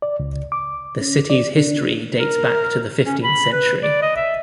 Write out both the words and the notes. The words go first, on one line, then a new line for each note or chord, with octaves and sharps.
The city's history dates back to the fifteenth century.
D5
C#2
D6
C#4
D5
D4
A#4
C#4
B5
B4
D5
D#5
E5